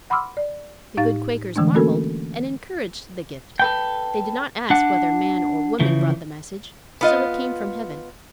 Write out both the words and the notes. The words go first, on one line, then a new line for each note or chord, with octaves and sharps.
The good Quakers marvelled, and encouraged the "gift." They did not ask whether man or woman brought the message, so it came from heaven.
F#5 B5 C6 D6 E6 F6
D5
A2 D#4 G4 F5 A6
D3 E3 G#3 A3 D4
A3 A#3 C#4 F#4 A4 A#4
A4 B4 G5
D4 F#5
C#3 E3 F3
B3 F4 D#5